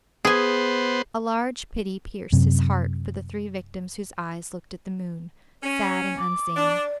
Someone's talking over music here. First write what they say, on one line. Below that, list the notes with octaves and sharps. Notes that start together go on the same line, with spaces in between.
A large pity pierced his heart for the three victims whose eyes looked at the moon, sad and unseeing.
B3 G#4 C5 G#5
F#2 C3
C#4
D6
D4 D5